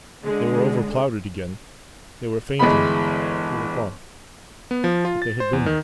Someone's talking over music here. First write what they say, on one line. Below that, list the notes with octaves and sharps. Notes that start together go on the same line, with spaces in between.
They were overclouded again, they were fainter, they were gone; but they had been there.
D3 G#3
G1 E3 G#3 B3 B5
B3
F3
F4
A6
C5
E2
D#3